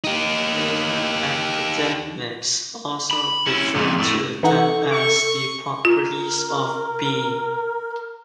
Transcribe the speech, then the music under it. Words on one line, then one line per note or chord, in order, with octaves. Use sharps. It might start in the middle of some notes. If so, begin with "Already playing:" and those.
Later academics also referred to them as the properties of being.
D#4 G4
B5
C#4 E4
F2 A#2
A2
E3 D#4 A4 F#5 C#6
C#6
F4 A#4